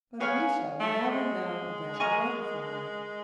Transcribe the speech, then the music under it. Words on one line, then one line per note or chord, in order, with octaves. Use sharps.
But we shall never know about the butterfly.
B3 G#4 C#5 F5 G#5
A3
G#3
A#4 D#5 G#5 C#6